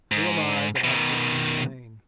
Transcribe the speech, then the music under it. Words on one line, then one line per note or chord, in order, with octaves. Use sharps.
Who am I that I should complain?
G#2
B2 D#3